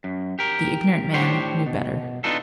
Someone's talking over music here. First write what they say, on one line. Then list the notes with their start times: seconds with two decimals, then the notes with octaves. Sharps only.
The ignorant man knew better.
0.04 F#2
0.39 G4 A#4
1.13 A2 D4 G4 C5 C#5
1.66 B2
2.24 B3 D4 D#4 F4 A4